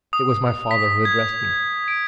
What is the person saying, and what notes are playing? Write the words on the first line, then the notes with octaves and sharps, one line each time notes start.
It was my father who addressed me.
D#6
B6
G#6
D7